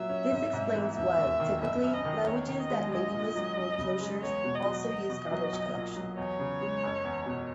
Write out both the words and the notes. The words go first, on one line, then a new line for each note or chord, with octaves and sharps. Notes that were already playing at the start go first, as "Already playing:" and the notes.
This explains why, typically, languages that natively support closures also use garbage collection.
Already playing: A#2 F#3 E5
C#4
G#1
G#2
E3
E1 E5
D#2
D#3
F#1 E5
F#2
D#5
D#3
E2 C#5
D#3
D#5
G#3
A#1 D#5
A#2
F#3
F#2
C#3
G#3
E2 C#5
B2
D#5
F#3
E2 D#5
B2
F#3
B1
A#2
F#3
E2 C#5
C#3
G#3
F#1
E2
B2